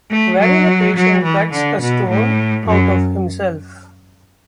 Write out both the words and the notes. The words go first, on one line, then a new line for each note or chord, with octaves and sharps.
Wherein a patient cuts a stone out of himself.
A3
F#3
F#3
E3
D3
B2
A2
F#2